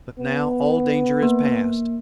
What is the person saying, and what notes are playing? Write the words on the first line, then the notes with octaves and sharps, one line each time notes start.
But now all danger is past.
B3
A#3